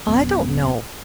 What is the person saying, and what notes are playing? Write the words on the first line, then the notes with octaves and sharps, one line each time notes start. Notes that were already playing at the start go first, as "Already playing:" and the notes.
I don't know.
D1 F#2 B3